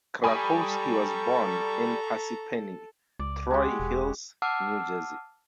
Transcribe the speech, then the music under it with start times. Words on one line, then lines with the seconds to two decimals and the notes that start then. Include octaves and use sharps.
Krakowski was born in Parsippany-Troy Hills, New Jersey.
0.24 G3 A4 B4 G#5 A#5 B5 C#6 D#6
3.19 C#2 D5
3.51 G#3 F#4 G4
3.80 E1
4.42 F#5 A5 D6 E6 F6